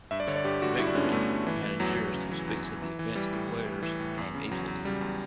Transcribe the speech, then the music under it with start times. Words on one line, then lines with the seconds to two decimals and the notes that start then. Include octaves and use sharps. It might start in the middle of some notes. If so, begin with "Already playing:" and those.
Victory, the panegyrist who speaks of the events declares, came easily.
0.11 G2 E5
0.20 D5
0.27 D3 C#5
0.36 D5
0.45 G2 G4
0.62 D3 F#4
0.79 G2 E4
0.87 D4
0.95 D3 C#4
1.04 B3
1.12 G2 A3
1.30 G2
1.47 E3
1.63 E3
1.80 E2 F#3
1.96 E2
2.14 C#3
2.31 E3
2.48 E2
2.64 E3
2.82 E3
2.99 E3
3.15 E3 G3
3.33 A2
3.49 E3
3.66 A2
3.83 E3
4.00 A2
4.18 E2
4.34 C#3
4.51 E2 F#3
4.67 E2
4.85 C#3 G3
5.01 E2